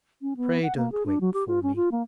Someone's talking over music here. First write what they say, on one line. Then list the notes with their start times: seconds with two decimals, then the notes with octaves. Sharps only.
Pray, don't wait for me.
0.22 C#4
0.37 B3
0.63 F#5
0.77 A#3
0.92 G#4
1.06 D4
1.21 F#3
1.33 G4
1.47 F4
1.63 C#4
1.76 F4
1.92 A#3